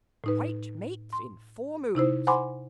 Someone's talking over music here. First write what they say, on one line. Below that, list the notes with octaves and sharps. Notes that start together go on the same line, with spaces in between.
"White mates in four moves."
A2 D#4 B4
C6
C3 D#4 E4 C5
C5 F#5 G#5 B5 C6 D6